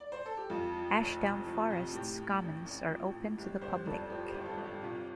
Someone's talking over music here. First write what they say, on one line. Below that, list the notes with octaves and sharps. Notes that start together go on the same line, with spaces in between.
Ashdown Forest's commons are open to the public.
D5
C5
A4
G4
F2 F4
F3
F1
C3
F3
C3
A2 G4
A2
A1
A1
F3
A2
G1 G4
G1 G4 C5
F2 A4 D5
F3 G4 C5
G4 C5
G1
F4 A4
G1
G4
C3 F4